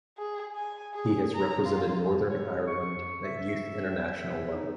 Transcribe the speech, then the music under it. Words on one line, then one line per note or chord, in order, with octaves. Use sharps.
He has represented Northern Ireland at youth international level.
G#4
G#5
G#4
A#5
F4
C#5
C#6
E5
D#4